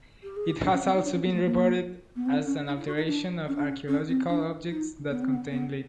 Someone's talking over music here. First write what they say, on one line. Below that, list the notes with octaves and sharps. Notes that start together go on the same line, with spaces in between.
It has also been reported as an alteration of archaeological objects that contain lead.
G4
G#4
G4
D4
C#4
C4
D#4
D4
C#4
B3
A3
A#3
B3
C4
C#4
D4
E4
F#4
D#4
D4
C#4
D4
C#4
C#4
C4
D4
D#4
B3
C4
B3
B3